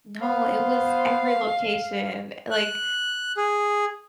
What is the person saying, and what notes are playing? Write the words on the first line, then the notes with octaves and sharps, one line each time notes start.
No, it was every location, like
B3 C5 F5
F#6
G#4